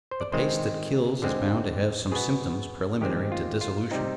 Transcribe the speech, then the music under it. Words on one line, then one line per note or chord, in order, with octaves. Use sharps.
The pace that kills is bound to have some symptoms preliminary to dissolution.
C5
D5
D#3 G#3 C4 C5
D3 G#3 C4
B2 B3 G#4
D#3 G#3 C4 G4
F4
F4
C3 G3 C4 D#4